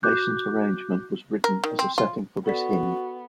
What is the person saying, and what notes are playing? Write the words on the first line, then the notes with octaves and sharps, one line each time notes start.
Mason's arrangement was written as a setting for this hymn.
F#4 D6 F#6 G6
A#4
D#3
C4
F4
B3 F#4 A4 D5 B6